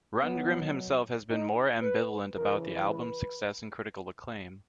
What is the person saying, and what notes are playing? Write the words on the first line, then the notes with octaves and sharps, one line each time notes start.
Rundgren himself has been more ambivalent about the album's success and critical acclaim.
B2 F#3 B3
D#4
B4
C#3 E3 A#4
B4